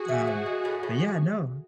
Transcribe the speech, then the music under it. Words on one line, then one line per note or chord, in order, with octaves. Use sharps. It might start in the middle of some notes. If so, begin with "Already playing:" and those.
um, but, yeah, no.
Already playing: F#4 G#4
E3
F3
G#3
A2
A2